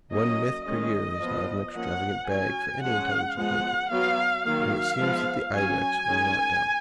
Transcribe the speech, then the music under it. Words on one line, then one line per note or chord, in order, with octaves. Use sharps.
One myth per year is not an extravagant bag for any intelligent hunter; and it seems that the "ibex" will not down.
F#3 A#3 C#4 D#5
D#3 G#3 C#4 D#5
F3 B3
F3 A#3 C#4 F#5
F#3 C#4 G#5
F3 G#3 C#4 F#5
F3 G#3 B3 F#5
F#3 B3 F5
D#3 F#3 A#3 F5
F3 G#3 B3
F#3 C#4 G#5
D#3 G#3 C#4